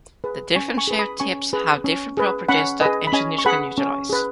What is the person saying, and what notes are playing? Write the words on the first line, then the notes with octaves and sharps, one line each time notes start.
The different shaped tips have different properties that engineers can utilize.
G#4 B4
C#4 G#5 C#6
G#5 C#6
G#4 B4
B5 D#6
C#4 G#5 C#6
G#4 B4
C#4
G#4 B4
C#4 F#5 B5
G#4 B4 D#5 G#5
B5
C#4 D#5 G#5
C#6
G#4 B4 F#5 B5
C#4
G#4 B4